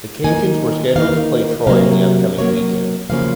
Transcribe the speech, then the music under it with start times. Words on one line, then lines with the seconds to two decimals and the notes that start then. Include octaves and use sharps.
The Cajuns were scheduled to play Troy in the upcoming weekend.
0.24 D#3 A#3 D#4 G#5
0.96 D#3 A#3 D#4 F5
1.67 C3 F#3 A#3 F5
2.38 C3 F#3 A#3 C#5
3.10 F#2 C#3 F3 A#3 C#4 F5